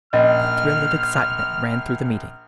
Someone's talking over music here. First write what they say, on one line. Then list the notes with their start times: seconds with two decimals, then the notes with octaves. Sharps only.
A thrill of excitement ran through the meeting.
0.13 A#1 C#4 D#5 F6